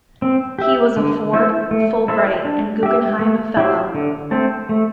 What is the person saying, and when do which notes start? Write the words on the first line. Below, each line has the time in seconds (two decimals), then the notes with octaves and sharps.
He was a Ford, Fulbright and Guggenheim Fellow.
0.22 C4
0.58 G4 E5
0.96 D3
1.33 A3 E4 C5 E5
1.71 A3
2.08 E4 A4 C5 E5
2.45 D4
2.83 G4 E5
3.19 A3
3.57 E4 G4 C5 E5
3.95 D3
4.31 A3 C4 A4 C5
4.69 A3